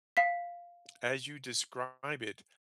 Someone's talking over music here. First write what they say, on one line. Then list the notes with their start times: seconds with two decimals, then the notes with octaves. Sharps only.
as you describe it,
0.17 F5 B6